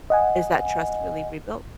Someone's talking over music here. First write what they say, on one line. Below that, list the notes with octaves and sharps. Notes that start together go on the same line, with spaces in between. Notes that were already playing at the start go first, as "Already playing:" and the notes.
is that trust really rebuilt?
D#5 F#5 G#5